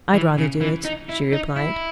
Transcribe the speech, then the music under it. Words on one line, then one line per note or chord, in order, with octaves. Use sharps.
"I'd rather do it," she replied.
E3
C#3
E3
D#4
E4
D#4
E4